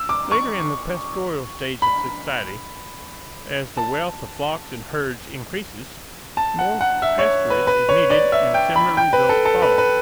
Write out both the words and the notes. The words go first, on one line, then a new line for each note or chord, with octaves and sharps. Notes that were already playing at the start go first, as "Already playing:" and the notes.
Later in the pastoral stage of society, as the wealth of flocks and herds increases, more pasturage is needed and similar results follow.
Already playing: E6
D6
C#6
B5
A5
A5
F#5
F#5
E5
C#5
B4
B4
C#5
D5
E5
G5
B5
G5
B4
A4
A4
B4
B4